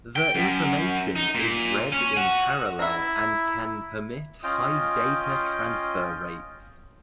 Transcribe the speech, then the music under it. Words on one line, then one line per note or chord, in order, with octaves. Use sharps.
The information is read in parallel and can permit high data transfer rates.
G5
F#2
D#4
A#2
C#4
F#4
E4 E5 A#5
C#4 F4 D#5 G5